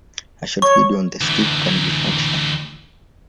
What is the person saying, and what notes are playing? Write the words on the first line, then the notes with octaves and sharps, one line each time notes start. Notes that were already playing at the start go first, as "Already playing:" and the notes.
A short video on the skiff can be found here.
C#5 C#6
D2 E3